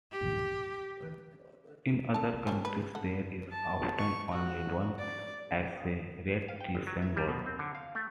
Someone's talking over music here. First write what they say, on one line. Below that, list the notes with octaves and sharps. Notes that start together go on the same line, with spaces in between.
In other countries there is often only one Accreditation Body.
G4
A4 A5
G3 C#4 D4
B4
A4 F#5
A5
C#6
F#4
D5
F5
G5
G1
F#3
E5
G3
B2
C4
D3
F5
A3